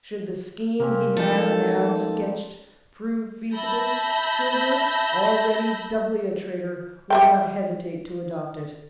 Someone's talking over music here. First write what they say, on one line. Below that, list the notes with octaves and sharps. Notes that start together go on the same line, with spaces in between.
Should the scheme he had now sketched prove feasible, Silver, already doubly a traitor, would not hesitate to adopt it.
C3 A#3 C4 C#4
F3 G#3 D#4 A4
E5 A5 B5 E6 G6 A#6
G4 E5 G5